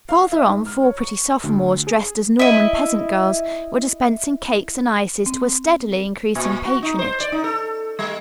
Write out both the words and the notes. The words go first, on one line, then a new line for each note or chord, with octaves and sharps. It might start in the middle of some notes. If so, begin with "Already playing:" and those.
Farther on four pretty sophomores, dressed as Norman peasant girls, were dispensing cakes and ices to a steadily increasing patronage.
F5
E5
G#2
F6
C#5
C#6
D2
G#4
E4 D#5
C4
A#2
F#4
D#4
C5
D5
D#4
A4
G3